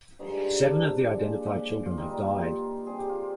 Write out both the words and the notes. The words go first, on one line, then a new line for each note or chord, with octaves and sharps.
Seven of the identified children have died.
G2 D3 F3 G#3 D#4
D4
A#2 G#3 D4
F4
G2 D#3 G3 A#3 D#4
F4
D#3 G3 C4 G#4
G4
F4